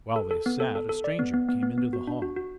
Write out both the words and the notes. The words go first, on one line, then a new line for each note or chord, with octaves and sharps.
While they sat, a stranger came into the hall.
A4
A4
B3
A4
A4
A4
D5
B3
B3
B3
B3
B3
F#4
D4
F#4
F#4